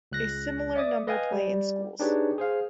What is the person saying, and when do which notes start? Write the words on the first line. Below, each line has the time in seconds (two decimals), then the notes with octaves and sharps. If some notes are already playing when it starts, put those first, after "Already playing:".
A similar number play in schools.
0.12 C#2 F#6 A#6
0.76 D5 E5 D6 D#6
1.07 B4 D#5 F5 G5 G#5
1.32 G3
2.00 D4 D#4 G4 G#4 B4 C#5
2.38 G#4 C5 F5